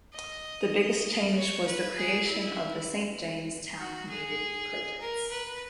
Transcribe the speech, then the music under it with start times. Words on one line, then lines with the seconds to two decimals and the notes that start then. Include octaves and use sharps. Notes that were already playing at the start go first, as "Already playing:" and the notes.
The biggest change was the creation of the Saint James Town Community Projects.
0.13 D#5
1.36 C#5
1.66 B4
1.96 G#4
2.27 E4
3.78 F#4
4.09 G#4
5.00 A#4
5.31 B4